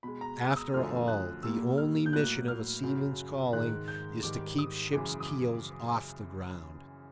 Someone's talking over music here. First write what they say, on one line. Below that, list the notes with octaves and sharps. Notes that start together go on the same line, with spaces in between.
After all, the only mission of a seaman's calling is to keep ships' keels off the ground.
B2 G#3 B5
A#5
E6
D#6
F#2 D3 F3 A3 F6
F#6
A#2 G3 A#3 E6
F6
G6
A2 F#3 A#3 F#6
F6
F#2 C#3 F#3
G#2 D#3 G#3 F#6
G6
G#2 D#3 G3 D6
D#6
F#2 C#3 E3 G#3 D6
D#6
D6